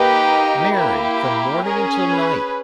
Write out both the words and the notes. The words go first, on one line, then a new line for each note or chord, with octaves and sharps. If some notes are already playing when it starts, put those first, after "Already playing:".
Mary!' from morning until night.
Already playing: A#3 D#4 G4 B4
A#3 E4 G4
C#4 G#4 A#4
B4